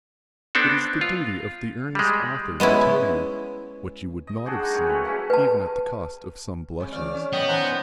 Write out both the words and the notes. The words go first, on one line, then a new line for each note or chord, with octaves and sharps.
It is the duty of the earnest author to tell you what you would not have seen--even at the cost of some blushes.
B3 C4 D4 A4
F4
G3 G#3
G#3 B3 C#4 E4
D#5
D4 F#4 G#4 G5
G#3 D#4
F#2 G3 C#5 G#5
A3 B4
C#3 C#4 E4 B4
B4 A5
C3 G#3
E3 D5 F6
C#4
B3 D#5 G5
D#3 C5 F#5 A#5